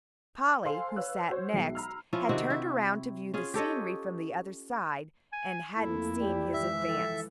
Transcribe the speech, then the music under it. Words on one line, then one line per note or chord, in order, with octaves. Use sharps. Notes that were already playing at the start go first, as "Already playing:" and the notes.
Polly, who sat next, had turned around to view the scenery from the other side, and hadn't seen his advance.
A4 C5 F5 G#5 C6
B4 C#5 F5 E6 F#6
F#4 C5 C#5
B1 G#3 B3 E5 C7
A#5 B5 E6 F6
F3 C#4 E4 F4
C3 D#3 C4 F#4
E4
C#4 F4 G#4
G4 A4 C#5 D#5
G#5
F2 A3 A#3 E4 A4
G4 D5 G5
E3 F3 G#3 E5
A4 G5